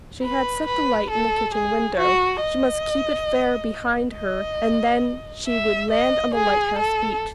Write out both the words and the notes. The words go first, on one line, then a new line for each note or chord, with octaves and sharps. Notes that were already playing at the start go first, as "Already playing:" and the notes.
She had set the light in the kitchen window; she must keep it fair behind her and then she would land on the lighthouse beach.
B4
B4
A4
G#4
F#4
D#5
D#5
E5
D#5
G#4
A4